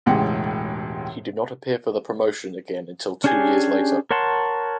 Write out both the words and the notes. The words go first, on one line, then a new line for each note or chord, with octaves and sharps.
He did not appear for the promotion again until two years later.
E1 C#2 A2 G#3 G4 F#5
C#4 D4 G4 G#4 G#5
A#4 C#5 F#5 A5 C6